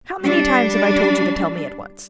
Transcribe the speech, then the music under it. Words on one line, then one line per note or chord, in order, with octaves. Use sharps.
"How many times have I told you to tell me at once?"
G3 D4